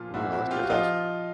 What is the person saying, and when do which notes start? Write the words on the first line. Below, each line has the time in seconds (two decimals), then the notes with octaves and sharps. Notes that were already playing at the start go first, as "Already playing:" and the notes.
Wow, that's fantastic.
Already playing: A#2 F3 F4
0.14 A#2 E4 F#4
0.32 E4 F#4
0.42 C4
0.51 F4 G4
0.63 F#4
0.69 F3 D#4 F4